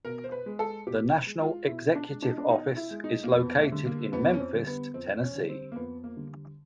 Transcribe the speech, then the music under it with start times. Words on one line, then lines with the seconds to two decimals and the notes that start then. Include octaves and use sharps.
The National Executive Office is located in Memphis, Tennessee.
0.05 B2 A#4
0.24 C5
0.32 B4
0.46 G#3
0.59 A4
0.87 B2 G4
1.27 G#3
1.41 F4
1.67 B2 E4
1.95 D4
2.08 G#3
2.22 D4
2.30 D#4
2.38 D4
2.49 B2 D#4
2.77 E4
2.91 G#3
3.04 D#4
3.23 A#3
3.31 F2 B3
3.59 A3
3.72 D3 G3
3.86 A#3
4.12 F2 B3
4.33 C#4
4.40 C4
4.54 D3 G3
4.67 B3
4.94 F2 C4
5.21 C#4
5.35 D3 G3
5.49 C4
5.72 A#3
5.76 F2 B3
6.04 A#3
6.16 D3 G3